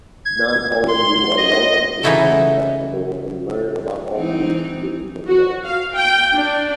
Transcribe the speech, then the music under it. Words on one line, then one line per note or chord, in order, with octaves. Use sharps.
Non-Yolngu are welcome to attend the festival and learn about Yolngu traditions and Law.
G#6
C6
D#5
C#3 E3 D#4 E4 F#4 A4
E3 C4 D#4
F#4
F5
G5
D4